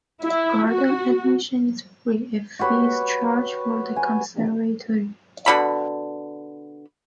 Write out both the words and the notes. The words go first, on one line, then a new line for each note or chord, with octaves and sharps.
Garden admission is free; a fee is charged for the conservatory.
E4
F#4
F#4 G4 B4 C#5
G#5
B2 D3 B5